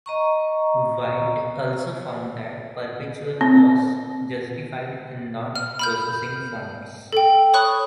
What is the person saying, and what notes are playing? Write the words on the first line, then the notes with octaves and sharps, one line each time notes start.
White also found that Perpetual was justified in not processing forms.
D#5 A#5 C#6
C4
F6
B5 F6 G6
A4 G5
C#5 B5 C#6 D#6 F#6